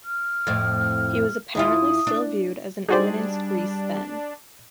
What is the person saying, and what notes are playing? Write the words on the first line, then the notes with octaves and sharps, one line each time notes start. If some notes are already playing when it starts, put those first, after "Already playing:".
He was apparently still viewed as an eminence grise then.
F6
F2 A2
D#2 E4 F4 D#6
D4
G3 D4 D#4 F#4 G#4 C5 D5